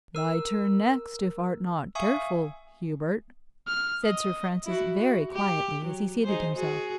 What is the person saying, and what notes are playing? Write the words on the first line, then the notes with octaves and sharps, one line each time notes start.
"Thy turn next, if art not careful, Hubert," said Sir Francis very quietly, as he seated himself.
A#4 E6
E5 F5 G#5 C#6 D#6
F6
D#5
E4 F#4
F#4
G4
F#3
D#4 G#4 C5
F#4 G#4